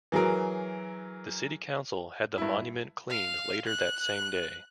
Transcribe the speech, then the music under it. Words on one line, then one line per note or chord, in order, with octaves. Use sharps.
The City Council had the monument cleaned later that same day.
E3 F#3 G#4 A#4
G2 E4
F5
F#6